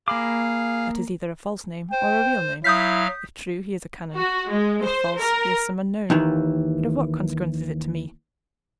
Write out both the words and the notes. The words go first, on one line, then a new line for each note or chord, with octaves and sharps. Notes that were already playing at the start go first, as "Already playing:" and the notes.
That is either a false name or a real name; if true, he is a canon; if false, he is some unknown; but of what consequence is it to me?
A#3 G#4 F5 B5 D6
C5 G5
F#3 E4 F5 D#6 F6 G6 B6
F#4
G#3
C5
A#4
D#2 D#3 E3